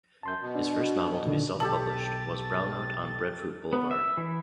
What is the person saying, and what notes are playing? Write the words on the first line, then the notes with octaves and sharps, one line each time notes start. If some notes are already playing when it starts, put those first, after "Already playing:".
His first novel to be self-published was "Brownout on Breadfruit Boulevard".
F#2 A5 C6 G6
B2
D4
A#2 D3 D#3
B1 G4 A4 E5 A5 A6
B3
E5
E3